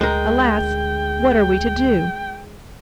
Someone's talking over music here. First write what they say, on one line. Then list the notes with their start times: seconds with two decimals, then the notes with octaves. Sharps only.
Alas, what are we to do?
0.01 D2 G#3 A#4 G5